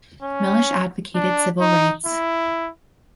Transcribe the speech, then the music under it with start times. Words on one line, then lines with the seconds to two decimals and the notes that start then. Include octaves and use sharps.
Melish advocated civil rights.
0.22 C#4
1.15 D4
1.61 D#4
2.06 E4